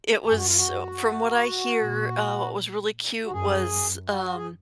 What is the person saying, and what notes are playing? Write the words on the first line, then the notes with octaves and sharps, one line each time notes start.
it was, uh, from what I hear, uh, what was really cute was, um,
F#2 G#4
F#4
F4
F#4
A#2
F#4
F#2 G#4
F#4
G#4